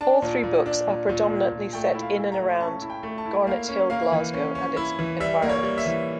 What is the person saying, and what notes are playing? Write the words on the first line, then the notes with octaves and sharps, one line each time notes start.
All three books are predominantly set in and around Garnethill, Glasgow, and its environs.
D4 A5
A#2
A#2
D4
A#2
A#2
A#2
A#2
A3 G5
E4
F5
E4
A#5
A3
C#4 A5
E4
G5
A3
A5
E4
A#3 F5
C#4
A#3 F5
E3
C#4
C#4
E4
E3
G3 E5
A#3
C#5
G3
E5
E3